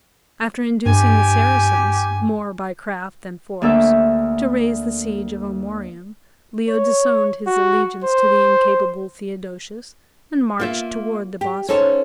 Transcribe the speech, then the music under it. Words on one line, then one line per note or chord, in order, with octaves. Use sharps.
After inducing the Saracens, more by craft than force, to raise the siege of Amorium, Leo disowned his allegiance to the incapable Theodosius and marched toward the Bosphorus.
G2 G4 G#5
D2 A#3 A4 E5
C#5
F#4
C5
A#3 F4 E5
G4
C#4 D#4 A4 C5 C#5